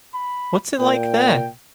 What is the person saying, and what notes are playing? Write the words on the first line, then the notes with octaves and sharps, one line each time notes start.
What's it like there?
B5
A#2 G5